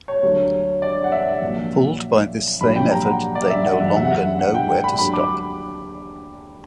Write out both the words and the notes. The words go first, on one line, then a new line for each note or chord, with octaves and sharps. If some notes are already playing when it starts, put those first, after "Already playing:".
Pulled by this same effort, they no longer know where to stop.
C#5
D2 D3 F#3
D5
F#5
E5
A#1 A#2 F#3
A#1 A#2 F#3 B5
G5
A#5
F#5
D5
E5
F#5
F#1 E2 D3 F#3 E5
F#5
E5
F#5
E5
F#5
G5
G5
B5
D2 D3 F#3 B5
D6